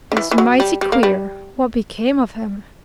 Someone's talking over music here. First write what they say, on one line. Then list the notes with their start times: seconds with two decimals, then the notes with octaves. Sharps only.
"It's mighty queer what became of him."
0.12 D3
0.17 E3
0.31 E3
0.38 F#3
0.60 G3
0.81 G3
0.92 A#3
1.03 G3